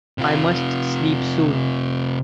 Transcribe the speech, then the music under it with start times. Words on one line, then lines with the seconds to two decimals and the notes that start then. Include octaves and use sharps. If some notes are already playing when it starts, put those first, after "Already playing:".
I must sleep soon.
0.18 C3 F4